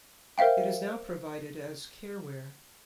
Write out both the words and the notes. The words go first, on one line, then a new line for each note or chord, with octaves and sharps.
It is now provided as careware.
A#4 C5 E5 F5 G5